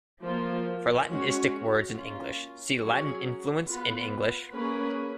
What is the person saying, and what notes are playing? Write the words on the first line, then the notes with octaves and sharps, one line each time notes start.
For Latinistic words in English, see Latin influence in English.
F3 A#3 F4
G#3 C#4 F#4 C#5
A#3 C#4 F4
F#3 C#4 G#4 C#5
B3 F4 B4
A#3 C#4 G#4 B4